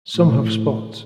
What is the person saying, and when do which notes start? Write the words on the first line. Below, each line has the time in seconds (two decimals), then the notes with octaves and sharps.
Some have spots.
0.16 A2